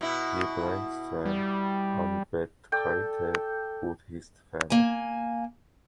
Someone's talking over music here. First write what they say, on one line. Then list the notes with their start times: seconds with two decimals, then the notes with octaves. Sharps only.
He belongs to an Ambedkarite Buddhist family.
0.01 B2 E4
1.26 G3
2.72 A4 D5 G5
4.70 A#3 G#5